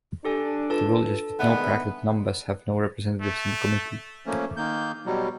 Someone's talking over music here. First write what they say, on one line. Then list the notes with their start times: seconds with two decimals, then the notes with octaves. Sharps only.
The villages with no bracketed numbers have no representatives in the committee.
0.25 D4 G4 A4 G#5
0.70 F4 A4 B4 A5
1.39 D3 D#3 G#3 B3 D5 E5 F#5
3.21 A3
4.26 F3 A3 A#3 C#4
4.57 D#3 A#3 G6
5.06 B2 F#3 G3